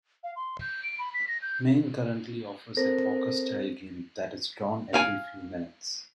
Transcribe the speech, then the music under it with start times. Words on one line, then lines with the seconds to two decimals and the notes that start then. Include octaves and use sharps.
Maine currently offers a poker-style game that is drawn every few minutes.
0.23 F5
0.36 C6
0.61 G6
0.83 D7
0.99 B5
1.14 B6
1.28 A#6
1.42 G6
2.77 C4 A4 A#4 C5 A#6
4.94 F5 G#5